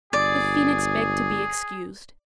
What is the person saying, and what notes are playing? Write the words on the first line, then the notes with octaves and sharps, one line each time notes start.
The Phoenix begged to be excused.
G1 G#4 D5